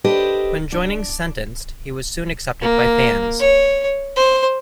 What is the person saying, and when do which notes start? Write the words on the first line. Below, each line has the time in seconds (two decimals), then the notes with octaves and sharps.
When joining Sentenced he was soon accepted by fans.
0.04 D4 G4 A4 B4 C5 D#5
0.72 D4
2.61 A#3
3.40 C#5
4.16 C5